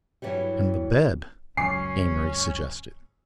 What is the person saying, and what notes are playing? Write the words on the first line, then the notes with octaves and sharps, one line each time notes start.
"And the bed," Amory suggested.
G2 C3 E3 F#3 G3
C#2 F#2 F#3 C#4 G#5 D6 C7